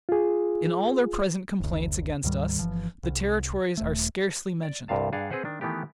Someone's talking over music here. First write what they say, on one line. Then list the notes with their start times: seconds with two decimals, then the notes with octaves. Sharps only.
In all their present complaints against us, the Territories are scarcely mentioned.
0.09 F4 G#4
1.60 F#1 D2
2.24 D2 G#2 D#3 G3
2.59 G1 E3 F3
3.03 C2
3.77 D#1 A3
4.63 D5
4.88 C2 G2 C3 F5 A5
5.13 G2 D4 G#4 F5 F#5
5.30 C4 G#4 B4 C5 F#5
5.45 D#3 D4
5.61 D#3 E3 A3 B3 G4